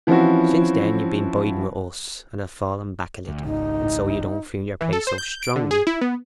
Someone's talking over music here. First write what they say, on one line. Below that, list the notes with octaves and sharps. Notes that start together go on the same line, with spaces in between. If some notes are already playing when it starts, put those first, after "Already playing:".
Since then you've been biding with us, and have fallen back a little, and so you don't feel your place so strongly.
E3 F3 C4 C#4 E4 F#4
D2
G#1 C#2 D#4
E3
A4
C5
G6
D7
D3
G#4
E4
B3